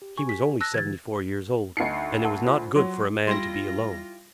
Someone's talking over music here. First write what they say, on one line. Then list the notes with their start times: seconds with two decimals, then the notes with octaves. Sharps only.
He was only seventy-four years old, and it was not good for a man to be alone.
0.02 G4
0.17 G4 G#5 C#6
0.29 B6
0.61 A5 E6 F#6 A#6
0.74 D3 E3 G4 G#6 A6
1.77 D2 D#4 D#5 C7 C#7
2.24 A#4 F#5 A5
2.45 F4 C5
2.76 F#3 C6
3.27 G3 E4 F4 G4 C6 A#6